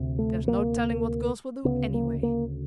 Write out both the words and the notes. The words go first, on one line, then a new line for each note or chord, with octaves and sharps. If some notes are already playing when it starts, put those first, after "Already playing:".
There's no telling what girls will do anyway.
Already playing: D2 C3
A3
A#3
D2 C#3 B3
A#3
A#3